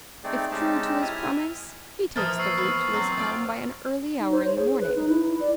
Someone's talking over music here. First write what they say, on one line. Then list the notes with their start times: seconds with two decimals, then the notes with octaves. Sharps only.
If true to his promise, he takes the route to his home by an early hour in the morning.
0.24 A3 C4 D#4 G#4 D5
0.51 G#3 C4 C#4 D#4 G4 A5
1.02 E4 E5 G#5 D#6 F6
2.16 E3 F3 A#3 D#6 F6 A6
2.39 C#6 E6 C7
2.58 B3
2.93 F#3 C4
3.17 F4 D5
4.20 D#4
4.32 C5
4.44 C#5
4.58 G#4
4.80 B4
4.96 D#4
5.09 E4
5.40 D5